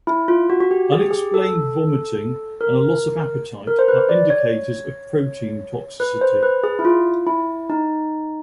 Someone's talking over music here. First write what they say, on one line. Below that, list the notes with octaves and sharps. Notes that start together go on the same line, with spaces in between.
Unexplained vomiting and a loss of appetite are indicators of protein toxicity.
E4
F4
F#4
F#4
G4
G#4
G4
G#4
A4
A#4
A#4
C5
B4
D5
C#5
B4
C5
B4
G#4
E4
F4
E4
D#4